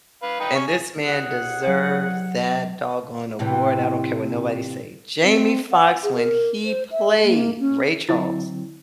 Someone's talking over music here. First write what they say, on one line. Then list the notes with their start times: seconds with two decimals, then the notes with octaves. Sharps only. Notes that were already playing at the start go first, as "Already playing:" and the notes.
And this man deserves that doggone award, I don't care what nobody say. Jamie Foxx when he played Ray Charles,
0.23 B4 F5
0.40 D#4 B4 G5
0.55 C#4 G#5 C#6
0.67 G#4 G#5
1.05 C2 G#4 F#5
1.67 F#3
3.39 A2 C3 E3
5.24 C4
5.72 F#5
6.03 G#4
6.15 A#4
6.65 C5
6.91 E5
7.24 A#3
7.60 C#4
8.09 D3 F#3 C4 E4